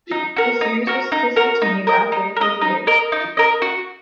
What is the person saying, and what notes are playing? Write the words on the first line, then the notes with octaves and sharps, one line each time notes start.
The series were discontinued after a few years.
D#4
F#4 A#4
D#4
F#4 A#4
D#4
F#4 A#4
D#4
A#4 D#5
D#4
A#4
D#5
D#4
A#4 D#5
D#4
A#4 D#5
F#4